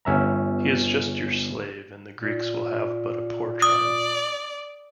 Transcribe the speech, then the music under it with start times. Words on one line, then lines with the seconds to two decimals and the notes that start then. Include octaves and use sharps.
He is just your slave and the Greeks will have but a poor triumph.
0.05 G1 C#4 E5 A#5
2.17 A#2
3.62 D5 D#6